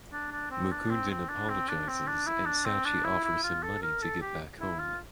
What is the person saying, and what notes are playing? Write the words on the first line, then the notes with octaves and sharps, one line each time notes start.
Mukundan apologizes and Sachi offers him money to get back home.
D4
D4
C4
D4
C4
C4
D4
C4
D4
C4
D4
E4
D4
C4
D4
E4
E4
F4
A4
A#4
A4
G4
E4
F4